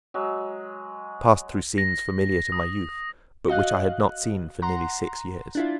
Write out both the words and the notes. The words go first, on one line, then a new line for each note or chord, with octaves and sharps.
I passed through scenes familiar to my youth, but which I had not seen for nearly six years.
F#3 G#3
A#6
D#6
F#4 D#5 F5 F#6
F#5 A#5 C6
D4 E4 F4